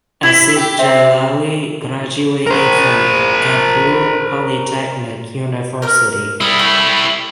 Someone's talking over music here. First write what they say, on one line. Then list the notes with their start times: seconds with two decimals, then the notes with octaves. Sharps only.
Asif Jalali graduated from Kabul Polytechnic University.
0.23 E4 G#6
0.56 G4
0.79 C4 E5
2.47 A#4 C5
5.82 A#4 F6
6.41 G3 E4 D#6
6.59 A3